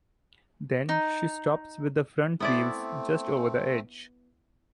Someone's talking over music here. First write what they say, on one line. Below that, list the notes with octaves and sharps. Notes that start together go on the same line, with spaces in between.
Then, she stops with the front wheels just over the edge.
D#4
A3 B3 C4 E4 D5